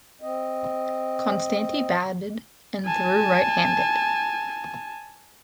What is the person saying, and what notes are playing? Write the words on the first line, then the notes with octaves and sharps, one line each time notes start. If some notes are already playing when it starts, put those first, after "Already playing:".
Konstanty batted and threw right-handed.
C4 D#5
G#5 A5